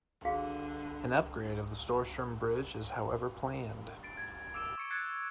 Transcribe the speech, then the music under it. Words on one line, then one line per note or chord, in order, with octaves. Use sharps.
An upgrade of the Storstrom Bridge is however planned.
D3 F#4 G#4 F5
A6 C7 D7
G#6
D6 E6 D7 E7
C#6 C#7 D7
F#6 G#6 A6 C7 C#7